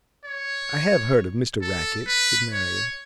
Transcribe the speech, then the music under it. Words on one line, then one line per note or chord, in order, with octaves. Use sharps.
'I have heard of Mr Rackett,' said Marian.
C#5
A4
B4
C#5